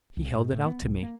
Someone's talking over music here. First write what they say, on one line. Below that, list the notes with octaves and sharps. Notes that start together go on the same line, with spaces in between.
He held it out to me.
C2
G#2
A2
B3
B1
A#3